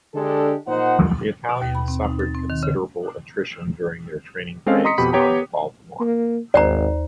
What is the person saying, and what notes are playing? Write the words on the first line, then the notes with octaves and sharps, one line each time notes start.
The Italians suffered considerable attrition during their training phase on the Baltimore.
D3 G#3 D4 G4 A4
A#2 D#4 C5 D#5 F#5
B2
D#2
B5
C4
D#4
A6
C4
D#3
C#3
G#3 C4 C#4 A4 D#5 F5
D#5 A#5 C6 D#6 B6 C#7
F2 B2 G4 B5 B6
B3 G4 C#5 G5 A#5
A#3
G#1 D#2 C5 D5 A#5